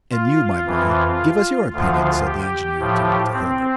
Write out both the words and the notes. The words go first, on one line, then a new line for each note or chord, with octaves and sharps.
"And you, my boy, give us your opinion," said the engineer, turning to Herbert.
F4
F2 E3
D2 D3 F3 F4
G4
A2 F3
C4